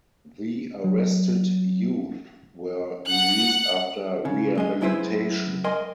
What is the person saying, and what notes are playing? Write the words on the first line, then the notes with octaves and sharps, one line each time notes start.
The arrested youth were released after rehabilitation.
F#3
F#5 F#6
C#3
B1 G#3 D#5
F#2 G#3 E4 B4 C5
A#4 D#5 G#5 C6